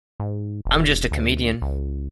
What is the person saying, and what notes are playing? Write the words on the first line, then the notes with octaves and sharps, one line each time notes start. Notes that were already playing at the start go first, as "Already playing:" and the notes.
I'm just a comedian.
G#2
E1
D2
C#2